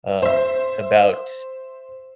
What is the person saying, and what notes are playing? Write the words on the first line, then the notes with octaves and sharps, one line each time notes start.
um, about
C5 E5